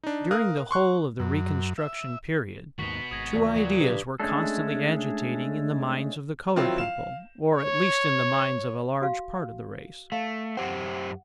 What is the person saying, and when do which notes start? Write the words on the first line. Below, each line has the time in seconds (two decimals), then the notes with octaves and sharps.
During the whole of the Reconstruction period two ideas were constantly agitating in the minds of the coloured people, or, at least, in the minds of a large part of the race.
0.04 D4 D#4
0.31 A#4 F5 D#6 F#6
0.71 C6 C#6 F#6
1.19 F#2
1.78 E5
2.79 D#2 G#2 D#3 B3 F#4 C#6 B6
3.11 G#1 D#6 G#6 A#6
3.34 D#2 A#2 C#3 E3
3.56 F#3
3.80 G2 C3
4.20 G#3 A3 C#4 D4 A4
6.56 D#3 F3 F#3 C4 E4 F4
6.78 F5 E7
7.55 C#5
9.02 F#4 F5
10.12 A3 F5
10.57 F#2 G4 C5 F#5